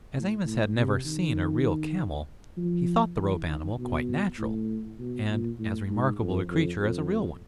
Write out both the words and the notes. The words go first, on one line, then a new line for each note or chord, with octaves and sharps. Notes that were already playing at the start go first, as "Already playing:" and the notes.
As Amos had never seen a real camel, he thought the rope animal quite natural, and as remarkable a creature as a real one.
A2
A2
C3
D#3
F3
E3
D#3
B2
A2
B2
A#2
A2
G#2
F2
F2
F2